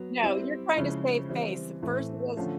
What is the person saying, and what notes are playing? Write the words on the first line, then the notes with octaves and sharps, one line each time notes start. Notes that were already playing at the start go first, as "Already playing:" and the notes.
No, you're trying to save face. First it was,
Already playing: F#3 B3
G3 C4 E4
C#3 F3 G#3 C#4 E4
E3 G3 C4
A2 E3 A3 C4
D3 F3 A3 C#4 F4